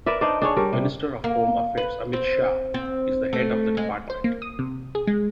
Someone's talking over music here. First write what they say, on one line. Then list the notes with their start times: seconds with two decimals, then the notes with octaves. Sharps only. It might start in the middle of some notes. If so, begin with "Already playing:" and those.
Minister of Home Affairs Amit Shah is the head of the department.
0.06 A#4 B4 D5 E5
0.21 D4 D#4 C5 D5
0.42 D4 G#4 C#5
0.56 G3 A#4 C#5
0.73 C3
1.24 A#3
1.77 B4
2.13 C4
2.74 C4
3.33 A3
3.77 G#3
4.10 C5
4.24 A#3
4.42 D#6
4.59 C3
4.95 G#4
5.07 G#3